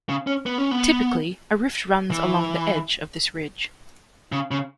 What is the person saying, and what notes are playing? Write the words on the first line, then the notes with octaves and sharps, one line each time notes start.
Typically a rift runs along the edge of this ridge.
C#3
C#4
B3
C#4
B3
E3
C#3
C#3